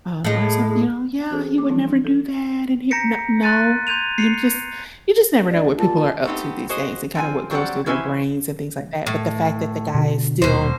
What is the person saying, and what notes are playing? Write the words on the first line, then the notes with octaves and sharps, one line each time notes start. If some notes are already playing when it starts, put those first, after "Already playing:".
um, are so, you know, "Yeah, he would never do that, and he "N no, you just you just never know what people are up to these days and kinda what goes through their brains and things like that, but the fact that the guy is still
A2 G#3
E3 C4 F#4 G#4 A4 C5
G#4
A#3 D6
E3 F3 G3 C4 D4 E4
D4
A4
A#5 G6 A#6 B6 C#7 D7
C6 F#6 A6 D#7
C6 G6 G#6 D#7 F7
C7 C#7 F7
D2 D5
A#2 A5
A3 B3 C4 D#4 G4
F#4 G#4 C5 D#5
F3 C4 G#5
F#3 G3 C4 G#4 D5 F#5
E3 C#4 E4 C5 G#5
A2
B2 D3
D#1 B2 C5